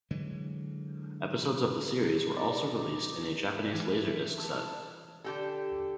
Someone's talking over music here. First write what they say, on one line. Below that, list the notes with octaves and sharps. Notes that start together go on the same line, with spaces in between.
Episodes of the series were also released in a Japanese laserdisc set.
D3 E3 F#3 G#3
D#4 D5
E5
E3 G#5
A5
D3 G4 A4